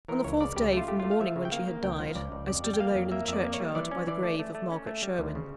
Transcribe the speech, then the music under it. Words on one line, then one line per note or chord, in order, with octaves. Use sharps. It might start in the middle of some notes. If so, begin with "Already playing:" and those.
On the fourth day from the morning when she had died, I stood alone in the churchyard by the grave of Margaret Sherwin.
E3 A#4
C#2 C#5
C#3 D5
C#2 G4
A3 F4
A3 G4
A3 F4
F5
F3 E5
C#3
G5
A#3 F5
A#3
C#2 G5
F3
C#2 D5
C#2
F2 D5
G3
G5
A#3 F5
F2
A#3 E5
F2 D5 E5
A#3
C#5
G3
E3 D5
C#4
E3 D5
A3
A3
A3
C#4
A3
G3
D2
C#3